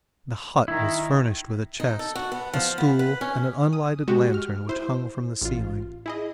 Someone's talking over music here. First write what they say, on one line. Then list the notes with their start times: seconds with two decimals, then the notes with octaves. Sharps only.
The hut was furnished with a chest, a stool, and an unlighted lantern which hung from the ceiling.
0.68 D#3 E4
1.80 D#4
1.99 A4
2.15 F#4
2.32 B3
2.54 F3
2.78 B3
2.99 B4
3.21 C#4
3.73 D#6
4.08 G#3 F#4 G4
4.34 F6
4.69 E4 C5
5.41 A1 F4
6.06 E4 G#4 D#5